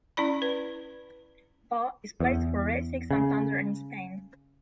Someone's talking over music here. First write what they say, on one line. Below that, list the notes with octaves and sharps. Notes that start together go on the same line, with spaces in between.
Bahr has played for Racing Santander in Spain.
C#4 E4 D5 B5
B4
E2
C#3